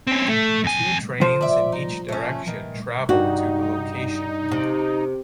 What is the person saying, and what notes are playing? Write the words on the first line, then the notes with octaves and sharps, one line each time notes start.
Two trains in each direction travel to the location.
C4 C#4
A3
F2 G#5
F3 A4 C5
D5 E5
D#4
A3 C#4
D#3 E3
G2 D#4 F#4
C3